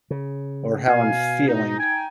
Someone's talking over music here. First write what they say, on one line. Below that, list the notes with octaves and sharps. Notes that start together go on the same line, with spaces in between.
or how I'm feeling.
C#3
B2 F5 G#5
D#4
D#4 G5 G#5